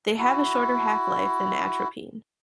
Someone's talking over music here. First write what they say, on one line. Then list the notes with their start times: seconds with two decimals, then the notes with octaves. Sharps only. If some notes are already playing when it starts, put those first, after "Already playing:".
They have a shorter half-life than atropine.
0.18 E4 F#4